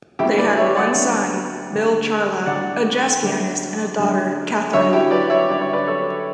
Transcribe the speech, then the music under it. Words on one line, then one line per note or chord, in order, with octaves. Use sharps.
They had one son, Bill Charlap, a jazz pianist, and a daughter, Katherine.
D2 D3 G3 E4 G4
B4 D5
C#5 E5
D5 F#5
D2 D3 G3
D2 D3 G3
D2 D3 G3 D5 F#5
F#2 D3 G3
F#2 D3 G3
F#2 D3 G3 C#5 E5
F#4
E4 G4
B4 D5
C#5 E5
F#2 D3 G3 D5
C#5
B4 D5
A4 C#5